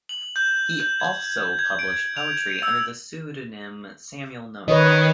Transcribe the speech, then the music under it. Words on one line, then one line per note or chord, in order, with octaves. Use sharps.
He also published poetry under the pseudonym Samuel Nomad.
F#7
G6
G6
G#6
G#6
D7
F7
E6
D#3 B4 C#5 D#5